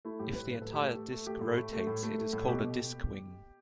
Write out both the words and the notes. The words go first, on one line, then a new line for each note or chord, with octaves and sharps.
If the entire disc rotates it is called a "disc wing".
A3 E4
A2 G4
A2 B4
A2 B4
A2 A4
G4
A3 A4
A3
A3
A3 G4
A2
A3
A3
A2
A3
A3
A2
B2 G4
B2